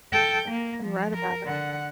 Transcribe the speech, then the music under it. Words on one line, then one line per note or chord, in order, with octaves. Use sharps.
You're right about it.
A4 G5
A#3
F3
A#4
D3 F#5